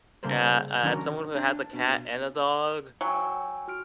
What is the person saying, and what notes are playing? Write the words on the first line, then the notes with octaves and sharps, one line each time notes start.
Yeah, uh, someone who has a cat and a dog.
C#3 G3 A#3 A4 A#4 C5
D#3 F#3 C#4 D4 F#4 A#4
D4
B2
F#3 G5 G#5 E6
F#4 F6 D7